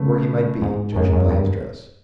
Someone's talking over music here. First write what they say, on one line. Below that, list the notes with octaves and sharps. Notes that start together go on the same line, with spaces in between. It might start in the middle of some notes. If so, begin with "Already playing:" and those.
Poor he might be, judging by his dress.
Already playing: C#3 A3 B3
G#2
A3
F#2 G#3 A#3
F#2
G2